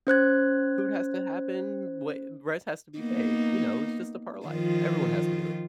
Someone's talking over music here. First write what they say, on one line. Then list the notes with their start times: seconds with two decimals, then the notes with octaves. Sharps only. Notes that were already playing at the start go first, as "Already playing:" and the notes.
food has to happen, w rent has to be paid, you know, it's just a part of life. Everyone has to do it.
0.07 C#4 C5 F#6 G#6
2.99 A#3 B3 D#4
4.46 D#3 F3 F4